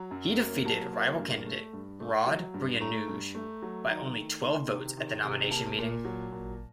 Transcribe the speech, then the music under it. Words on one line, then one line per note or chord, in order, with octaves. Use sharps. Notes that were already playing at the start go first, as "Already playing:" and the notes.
He defeated rival candidate Rod Bruinooge by only twelve votes at the nomination meeting.
Already playing: F#3 A#5
F#2
A#3
F#3 A5
A#3
G2
A3
G2
A3
F#3
G2
A3 A#5
G2
A3
F#3
D#3 A#5
A3
D#3 C6
C3
D#3
C3
A#3 A5
A#2
F#3
A#2